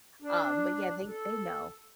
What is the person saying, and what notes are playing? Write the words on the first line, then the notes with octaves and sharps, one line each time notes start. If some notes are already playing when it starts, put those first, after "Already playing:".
Um, but, yeah, they they know.
D4
A4